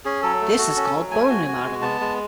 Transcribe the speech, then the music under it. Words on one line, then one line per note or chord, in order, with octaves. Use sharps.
This is called bone remodeling.
C#4 G#4
F#3 A4
A3
F#4
C#4
F#3
A3 G#5
F#4
F#4
G#3
B3 A5
G#3